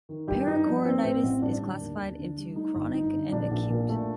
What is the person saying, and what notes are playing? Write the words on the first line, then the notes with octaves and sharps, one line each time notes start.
Pericoronitis is classified into "chronic" and "acute".
D#3
G2 G4
G2 D#4
F3 D4
A#3 C4
A1 C4
A1
G2 D4
D3
D#2
D#2
D3
G3
A3 D#4
G1
G2 D#4
D3
A#1 D4
A#1
A#2
A3